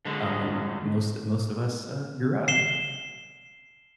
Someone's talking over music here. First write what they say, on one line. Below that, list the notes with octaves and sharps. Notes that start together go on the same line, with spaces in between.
Um, and most most of us, uh, grew out of that.
D3 G#3
C7 E7 G7